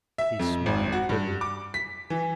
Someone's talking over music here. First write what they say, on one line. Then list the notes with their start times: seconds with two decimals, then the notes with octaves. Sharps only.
He smiled bitterly.
0.18 E5
0.39 F2
0.66 G#1
0.92 F#4
1.09 G2
1.41 D6
1.74 B6
2.10 E3